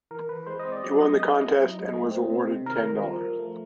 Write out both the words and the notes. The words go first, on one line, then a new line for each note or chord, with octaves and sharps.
He won the contest and was awarded ten dollars.
E3 A#4
E3 B4
G#3 C5
D#5
C4
D5
F#3 D#5
F#3 D#5
B3 D#5
E4
F#3
D#4
A3
C4
C3
C3
D#3 A#4
G3
F3
F3
A3